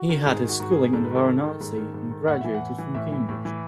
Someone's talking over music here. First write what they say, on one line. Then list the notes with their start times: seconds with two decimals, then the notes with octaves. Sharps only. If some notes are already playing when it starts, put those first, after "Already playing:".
He had his schooling at Varanasi and graduated from Cambridge.
Already playing: F#4
0.09 D#3
0.26 G#2 G#4
0.43 D#3
0.49 F#4
0.60 G#2 F#4
0.71 G#4
0.77 D#3
0.93 G#2 A4
1.04 B4
1.10 D#3 A4
1.26 G#2
1.44 D#3
1.61 G#2
1.78 D#3
1.94 G#2
2.11 D#3
2.28 A2 F#5
2.41 E3 E5
2.55 F#5
2.61 A2
2.78 E3
2.95 A2 E5
3.12 E3
3.29 A2
3.45 E3